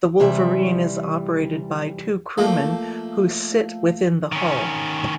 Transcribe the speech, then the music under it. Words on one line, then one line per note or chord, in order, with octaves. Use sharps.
The Wolverine is operated by two crewmen who sit within the hull.
C3 E3 G3 E5
F3 A3 A#3
D#3 C#4